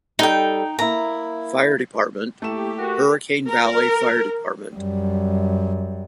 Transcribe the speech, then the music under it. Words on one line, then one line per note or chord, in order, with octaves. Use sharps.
Fire Department; Hurricane Valley Fire Department.
G3 D#4 A4 G5
A#3 E4 A#5
A3 A#3 E4 G4 C#6 E7
F#4 A#4
A#4
F#2 G3